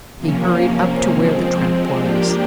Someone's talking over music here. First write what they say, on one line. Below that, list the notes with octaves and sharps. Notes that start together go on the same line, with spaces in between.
He hurried up to where the trap was.
C3 F3 A#3 C#4
F3 G#3 C4
F3 A#3 D4 G4